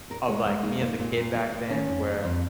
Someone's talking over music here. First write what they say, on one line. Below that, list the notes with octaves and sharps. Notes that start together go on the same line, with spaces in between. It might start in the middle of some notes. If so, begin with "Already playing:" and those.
of, like, me as a kid back then where
A#2 A#4
G#3 C#5
G#3 A#4
A#3 D#4
A#3
A#2
A#2
A#3
A#3
D#3 C#4
F2
A#3
F2